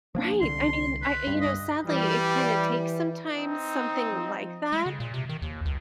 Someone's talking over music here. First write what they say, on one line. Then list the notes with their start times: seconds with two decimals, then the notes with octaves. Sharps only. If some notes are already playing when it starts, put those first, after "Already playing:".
Right! I mean, I you know, sadly it kinda takes, sometimes, something like that,
0.15 F3 A#3 D4
0.41 C2 D3 C6
1.02 B4
1.27 G2
1.41 D#5
1.86 E3 G3
3.33 C4 D#4
4.13 F3
4.72 G#3
4.86 C#3
5.00 A#2
5.14 C3
5.29 D#3
5.42 D#2
5.65 C#2